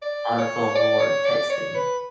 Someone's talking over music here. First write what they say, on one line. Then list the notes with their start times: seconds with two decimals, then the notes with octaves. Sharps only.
on a phone or texting.
0.02 D5
0.39 C#5
0.76 D5
1.00 C#5
1.25 D5
1.50 C#5
1.75 B4